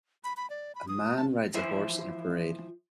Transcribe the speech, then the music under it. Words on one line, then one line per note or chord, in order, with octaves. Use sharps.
A man rides a horse in a parade.
B5
B5
D5
B5
D#6
A5
E3 F3 C5 E5